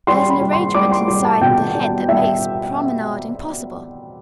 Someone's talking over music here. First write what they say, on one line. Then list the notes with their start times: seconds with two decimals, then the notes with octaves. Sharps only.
There is an arrangement inside the head that makes promenading possible.
0.07 G3 C6
0.30 B5
0.41 G3
0.53 C6
0.75 G3 D6
0.92 C6
1.08 G3
1.25 A5
1.41 B2 G5
1.75 G3
2.09 G3 E5